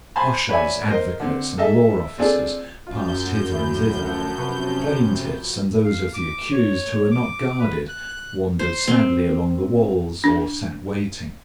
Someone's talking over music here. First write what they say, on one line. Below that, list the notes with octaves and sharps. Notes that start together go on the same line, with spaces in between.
Ushers, advocates, and law officers passed hither and thither. Plaintiffs, and those of the accused who were not guarded, wandered sadly along the walls or sat waiting.
C5 F5 G#5 A5 B5 C6
B4 C#5 D5 E5 G#5
A#4 C5 D#5
D3 C4
G#4 A4 D#5 E5
C4 D4 F4 G#4 A4 D5
F#2 F4 G6
D2 E4 C6
F3 E5 F#5
C3 B4 A5 C#6
F5
D6
C#5
D6
B4
F#6
C5
C4
D4